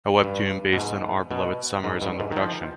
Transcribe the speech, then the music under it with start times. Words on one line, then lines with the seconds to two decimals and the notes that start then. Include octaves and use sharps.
A webtoon based on "Our Beloved Summer" is under production.
0.24 G2
0.73 B2
0.78 G#2
1.31 B2
1.84 G#2
2.02 G2
2.20 G#2
2.32 D#3
2.36 F3